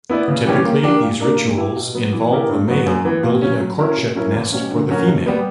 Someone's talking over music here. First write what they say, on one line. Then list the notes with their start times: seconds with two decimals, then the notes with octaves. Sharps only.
Typically, these rituals involve the male building a courtship nest for the female.
0.10 B3 E4 B4 D5
0.28 C#3
0.46 E3 G3 C#4 G4
0.65 A#3
0.84 D4 G4 A#4
1.02 A#2
1.20 A#3 D4 A#4
1.38 A#3
1.57 E4 G4
1.76 B2
1.95 F#3 B3
2.13 E3
2.31 B3 E4 G4 A#4
2.49 G2
2.68 F#3 B3 F#4
2.86 F#2
3.05 E3 B3
3.23 A#2
3.42 F#3 C#4
3.60 F#3
3.79 C#4 E4 A#4
3.97 B2
4.15 F#3 C#4 E4 A#4
4.34 E2
4.52 B2 G3 C#4
4.71 D3
4.89 F#3 C#4 F#4 A#4
5.08 B2
5.26 G3 B3